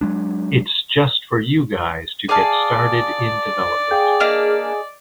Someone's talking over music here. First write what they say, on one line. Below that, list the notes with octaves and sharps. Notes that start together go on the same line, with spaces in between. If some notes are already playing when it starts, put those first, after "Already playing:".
It’s just for you guys to get started in development.
F#3 G#3 D4
G#4 D5 F5 A5 D6
G#4 F5 G5 G6
A#3 D4 D#5 F6